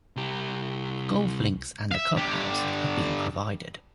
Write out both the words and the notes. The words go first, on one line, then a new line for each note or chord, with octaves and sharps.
Golf links and a clubhouse have been provided.
C2 G4
E5 F5
D3 G4